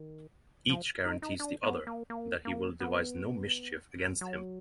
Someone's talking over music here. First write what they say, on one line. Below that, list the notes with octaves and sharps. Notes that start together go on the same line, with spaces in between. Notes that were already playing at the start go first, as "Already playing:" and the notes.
Each guarantees the other that he will devise no mischief against him.
Already playing: D#3
F3
D#4
D#4
D4
B3
A#3
A#3
A#3
B3
F#3